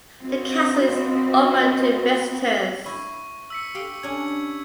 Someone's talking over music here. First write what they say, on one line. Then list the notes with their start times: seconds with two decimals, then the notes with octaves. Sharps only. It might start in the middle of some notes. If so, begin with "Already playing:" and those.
The castle is open to visitors.
0.21 C4 F4 F#4 B4 D#5
2.86 E4 C#6
3.50 E6 B6 C#7
3.75 G4 F5 G5
4.03 C#4 D4 G#6